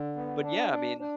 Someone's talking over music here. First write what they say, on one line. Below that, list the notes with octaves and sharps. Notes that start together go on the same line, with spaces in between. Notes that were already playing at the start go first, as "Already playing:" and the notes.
But, yeah, I mean,
Already playing: D3
B3
D4
D4
D4